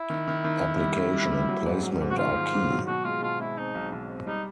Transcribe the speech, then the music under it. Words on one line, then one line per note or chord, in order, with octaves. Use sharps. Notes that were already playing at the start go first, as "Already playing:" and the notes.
Application and placement are key.
Already playing: E4
D#3
D#3
D#3
D#3
G3
D#3
G3
G3
F#3
G#2
F#3
G#2
F#4
D#3 F4
G#2
G#2
F#3
B2 F#4
G#3 F4
B2 F4
G#3 E4
C4 D#4
B1
B1
C4
G3 D#4